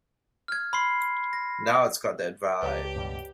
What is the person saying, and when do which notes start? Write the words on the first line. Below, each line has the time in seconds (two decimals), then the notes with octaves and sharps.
Now it's got that vibe.
0.48 F6 G#6
0.73 B5 C6 C7
1.33 A#6
2.61 C#2 G4 B4 C#5 D5 A5 A#5
2.96 G2 B2 G3